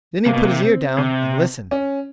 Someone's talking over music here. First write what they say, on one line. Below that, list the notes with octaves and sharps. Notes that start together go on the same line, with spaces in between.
Then he put his ear down and listened.
C3 A#3
B2
C3
C4
C3
C#4